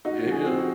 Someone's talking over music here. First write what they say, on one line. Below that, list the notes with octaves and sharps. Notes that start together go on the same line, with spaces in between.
Yeah, yeah.
D#4 F#4
F3 F#4
G#4
C4
F#4